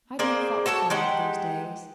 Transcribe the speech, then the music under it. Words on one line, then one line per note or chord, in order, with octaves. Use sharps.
'I'd no fault to find with those days.
A#3 G#4 C5 D5
F#4 A4 C#5 A5
G#3 D#4 G4 F#5